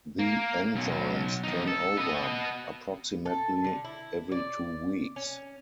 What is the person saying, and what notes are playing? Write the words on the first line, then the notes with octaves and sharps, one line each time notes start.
The enzymes turn over approximately every two weeks.
A#3
B1 F#3
E2 D#4
A4
B3 D#5
A4
D3
E4
D5
C#4